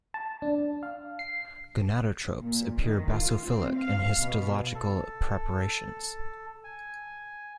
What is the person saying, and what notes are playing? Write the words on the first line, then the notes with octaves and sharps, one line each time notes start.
Gonadotropes appear basophilic in histological preparations.
A5
D4
F5
C7
A#2
D#3
F4
C4
F5
B2
A4
G#5